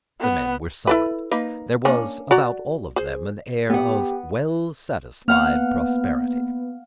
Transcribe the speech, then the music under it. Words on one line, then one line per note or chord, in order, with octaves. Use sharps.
The men were solid. There was about all of them an air of well-satisfied prosperity.
B3
E4 A4 B4
A#3 D#4 B4
A#3 C#4 D4
F#4 D5 A#5
G#4 C5
B3 G4 F#5
A#3 B3 F5 F#5 F6